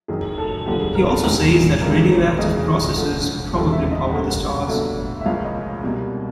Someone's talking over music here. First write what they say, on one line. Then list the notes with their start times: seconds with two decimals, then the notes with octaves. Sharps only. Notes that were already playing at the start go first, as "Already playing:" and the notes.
He also says that radioactive processes probably power the stars.
0.08 F#1 F#2 D#3 G#4
0.38 A4
0.66 E1 D#2 D3 F3 G4
0.80 G#4
0.95 A#4
1.09 A4
1.24 E2 C3 D#3 G#3
1.80 G#1 G2 D#3 G#3 A#4
2.09 C#5
2.38 E1 D2 C#3 E3 G#3 D#5
2.96 D2 D3 F3
3.53 E1 D#2 D#3 F#3 A3 F5
3.72 E5
3.91 D#5
4.10 D2 D3 G3 A#3 F#5
4.68 G1 G2 D3 F#3 A3
5.21 E5
5.26 C#2 C#3 F3 A#3 F5
5.44 D#5
5.83 C2 B2 G3 A#3